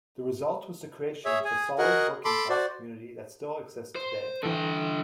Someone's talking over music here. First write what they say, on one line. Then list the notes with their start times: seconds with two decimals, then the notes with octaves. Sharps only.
The result was the creation of the solid working-class community that still exists today.
1.25 G#4 C#5 E5
1.44 G#4 G#5
1.78 F#4 G#4 A#4 D#5 F#5
2.25 A4 B5 C6 D6
2.49 F#4 C5 D5
3.95 C5
4.43 D3 E3 A4 G5